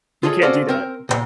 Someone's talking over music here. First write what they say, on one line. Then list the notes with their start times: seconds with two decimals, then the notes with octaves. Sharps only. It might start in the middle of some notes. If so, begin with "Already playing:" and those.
You can't do that.
0.23 F4 G#4 A4 C#5 D#5
0.41 C#4 F#4 A4 C5 D5 F5
0.69 C4 A#4
1.09 C2 A#2